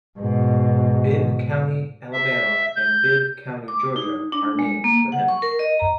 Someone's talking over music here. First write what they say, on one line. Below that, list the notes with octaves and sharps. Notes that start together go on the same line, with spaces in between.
Bibb County, Alabama, and Bibb County, Georgia, are named for him.
G#2 B2
E5
G6
D6
D#4
D4
G#3
A#3
F#5
C#6
A#4
D#5
A#5